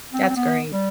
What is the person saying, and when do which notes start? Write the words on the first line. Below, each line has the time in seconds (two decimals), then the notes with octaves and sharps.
That's great.
0.13 C4
0.29 C4
0.36 B3
0.71 G3